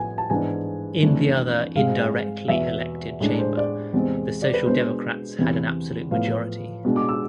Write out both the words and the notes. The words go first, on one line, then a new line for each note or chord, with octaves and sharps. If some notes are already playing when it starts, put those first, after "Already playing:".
In the other indirectly elected chamber the Social Democrats had an absolute majority.
Already playing: A2 F3 B3 G#5
A5
G#2 E3 B3 D4 G#5
F2 E3 A3 D4
G#2 G#3 C4 F5
E2 B2 B3 E5
A2 G#3 D4
C5
D5
E2 C3 G#3 C4
D5
B4
B2 G#3 B3 D4 C5
E2 C3 E3
A2 F3 B3 F5
B2 G#3 D4
D6
E6